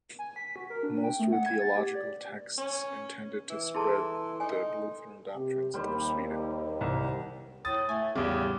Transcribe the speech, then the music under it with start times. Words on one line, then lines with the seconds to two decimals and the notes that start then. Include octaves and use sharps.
Most were theological texts intended to spread the Lutheran doctrines through Sweden.
0.19 G#5
0.36 B6
0.56 F#4
0.70 A#4
0.83 D4
1.03 G5
1.20 A3
1.32 F#5
1.46 G#6
1.61 A6
1.77 G4
1.95 D5
2.58 C#4
3.50 E3
3.74 E4 G#4 A4 A5 C6
4.40 D#4 G#5
5.35 C3 G4
5.74 D#2 G3 C5
6.81 C2
7.65 A2 D#6 A6
7.89 A3 G#5
8.16 E2 A2 C#3 G3 G4